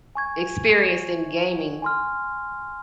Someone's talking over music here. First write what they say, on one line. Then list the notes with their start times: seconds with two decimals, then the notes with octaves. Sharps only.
experienced in gaming
0.15 G#5 C#6 G#6
1.82 G#5 C6 F6